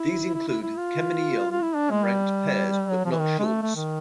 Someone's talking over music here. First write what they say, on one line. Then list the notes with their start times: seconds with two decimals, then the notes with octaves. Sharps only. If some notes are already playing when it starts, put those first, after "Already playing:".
These include Kemeny-Young and ranked pairs, but not Schulze.
Already playing: E4
0.34 E4
0.48 E4
0.62 E4
0.77 F4
1.51 F4
1.61 E4
1.76 D4
1.90 G#3
2.05 G3
2.90 F#3
3.05 F3
3.11 E3
3.19 D#3
3.39 G#3
3.46 A3
3.62 A3
3.76 D#3